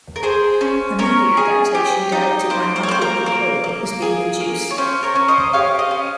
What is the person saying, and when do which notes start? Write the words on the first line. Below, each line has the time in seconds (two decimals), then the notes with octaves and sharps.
A movie adaptation directed by Michael Bacall is being produced.
0.16 A#4
0.23 G#4 C5
0.61 C#4
0.99 C#4 A#4 C#5
1.37 G#4
1.75 G4
2.12 D#4
2.50 A#3 C5
2.76 C5
2.83 C#5
2.88 A#3 C5
3.02 A#4
3.26 A#3
3.64 A#3
4.02 G#4
4.40 A#3
4.71 C#5
4.78 C#4 C5
5.03 A#4 C#5
5.15 C#4
5.28 C5 D#5
5.53 G4 C#5 F5
5.79 C5 D#5
5.91 C#4